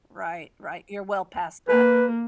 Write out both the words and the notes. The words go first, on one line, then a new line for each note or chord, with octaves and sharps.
Right, right, you're well past that.
A#3 B4